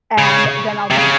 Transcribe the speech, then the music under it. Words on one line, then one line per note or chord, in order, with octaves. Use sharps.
and then I'll just
C#3
C3
C#3